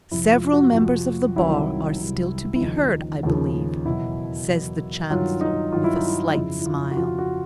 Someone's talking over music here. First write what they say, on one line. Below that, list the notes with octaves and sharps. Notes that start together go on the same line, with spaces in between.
"Several members of the bar are still to be heard, I believe?" says the Chancellor with a slight smile.
F2 C3 F3 E4
F4
F#4
F2 C3 F3
C2 C3 D#3 F#3 E4
C2 C3 D#3 F#3
E4
D#2 C#3 F3 D#4
D#2 C#3 F3
E2 B2 F#3 E4
E2 B2 F#3
G2 D#3 F#3 F4
D#4
G2 D#3 F#3 F4
E4
D#4
E4
D#4
F2 C#3 F3 E4
E4
F4
F#4
F2 C#3 F3 F4
F#4